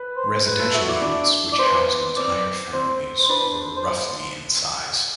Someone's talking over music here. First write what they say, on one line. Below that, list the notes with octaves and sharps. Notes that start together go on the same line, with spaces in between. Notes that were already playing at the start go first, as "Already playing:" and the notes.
Residential units, which housed entire families, were roughly in size.
Already playing: B4
C5
B4
A4
F#4 E5
E4 D5
D4 D5
D5
B3 C5
C4 D5
C4 C5
C5
D4 B4
C5